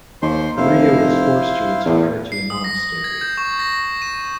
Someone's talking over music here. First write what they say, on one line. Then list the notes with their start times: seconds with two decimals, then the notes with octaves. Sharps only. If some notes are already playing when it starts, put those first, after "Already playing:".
Maria was forced to retire to a monastery.
0.22 D#2 C5 C6
0.57 F1 E4 C5 F5
1.85 E2
2.32 C7
2.50 D#6
2.64 A#6
3.04 G#6
3.21 G6
3.37 C#6
3.59 A#6
4.02 D#7